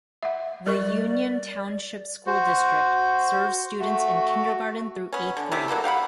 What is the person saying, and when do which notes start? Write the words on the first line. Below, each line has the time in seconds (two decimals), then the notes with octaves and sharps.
The Union Township School District serves students in kindergarten through eighth grade.
0.23 E5 F#5
0.66 G3 A#4 D5 C#6
2.27 F#4 C5
3.80 A3 F#4
5.13 B3 C#4
5.37 D3
5.52 C3 A3 E4 G4
5.68 F#3 A#3 B3 A4
5.84 G4 F5 F#5 B5